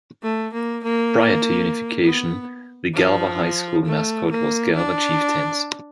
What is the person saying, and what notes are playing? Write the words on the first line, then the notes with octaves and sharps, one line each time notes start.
Prior to unification, the Galva High School mascot was Galva Chieftains.
A3
A#3
A#3
B3
F3
A3
A#3
D4